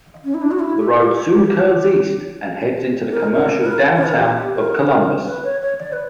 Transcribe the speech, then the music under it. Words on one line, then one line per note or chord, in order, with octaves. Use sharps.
The road soon curves east and heads into the commercial downtown of Columbus.
C#4
E4
D4
F#4
E4
G4
A#4
A#4
A#4
B4
A#4
C#5
B4
A#4
G4
A#4
B4
C#5
C#5
D5
B4